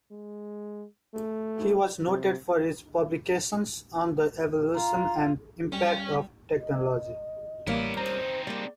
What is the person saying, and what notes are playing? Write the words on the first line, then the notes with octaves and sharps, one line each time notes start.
He was noted for his publications on the evolution and impact of technology.
G#3
A3
C3
F4 A#5
G3 C#4
D#5
A1 G3 A#3 B3 C#4 E4 A#4 E7
C4 D#4 C5 A#5
G3 G#3 A#3 D5